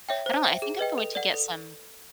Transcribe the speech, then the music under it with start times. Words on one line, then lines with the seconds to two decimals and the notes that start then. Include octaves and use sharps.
I don't know, I think I'm going to get some,
0.09 C#5 E5 G5
0.26 C5
0.44 E5 G5
0.62 G#4
0.79 B4 D#5 G5
0.98 A4
1.15 D5 F#5
1.33 A4